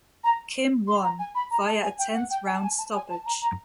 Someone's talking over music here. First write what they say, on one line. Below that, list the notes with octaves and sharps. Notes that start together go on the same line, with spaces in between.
Kim won via a tenth round stoppage.
A#5
C6
A#5
G#5
B5
A#5
A5
G#5
G5
F#5
G5
G#5
A5
G#5
A5
G#5
A5
A#5
A#5